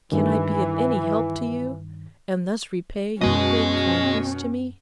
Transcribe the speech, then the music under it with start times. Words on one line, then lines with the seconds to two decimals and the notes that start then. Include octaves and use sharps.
Can I be of any help to you, and thus repay your great kindness to me?'
0.12 G2 D#3 E3
3.21 F#2 B2 G#3 C#4 D#5 G#5